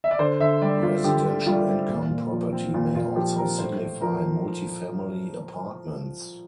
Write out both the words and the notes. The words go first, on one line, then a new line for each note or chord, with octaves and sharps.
Residential income property may also signify multifamily apartments.
E5
D5
D3 C5
D3 E5
G3 D5
C4 F4
D3 G4
D3
G3 F4
C4
A#2
A#2
F3
C4
A#2 F4
A#2 F4
F3 G4
C4 A#4
A2 C5
A2
F3 A#4